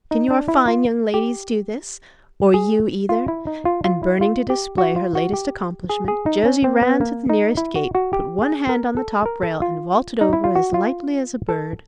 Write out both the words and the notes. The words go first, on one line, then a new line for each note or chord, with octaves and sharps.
Can your fine young ladies do this? or you either?' and burning to display her latest accomplishment, Josie ran to the nearest gate, put one hand on the top rail, and vaulted over as lightly as a bird.
D#4
D4
E4
F4
G4
G#4
F4
E4
D#4
F4
F4
E4
F4
G4
F#4
F4
F#4
G4
G#4
G#4
D#4
C#4
C4
B3
A#3
D#4
E4
F#4
F#4
G4
G#4
A#4
A4
A#4
A4
F4
D#4
E4
F4
F#4
F4
A4